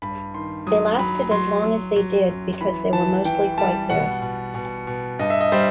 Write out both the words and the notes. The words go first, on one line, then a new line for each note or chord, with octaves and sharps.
They lasted as long as they did because they were mostly quite good.
G2 B5
D#3 C6
F#3 D#6
F#3 B5
F#3 C6
F#3
F#3
F#2
E3 B5
E3 A5
E3 G5
G3 A5
B2 F#5
B2
B2
B2
G2 D#5
E5
D#5
G3 C5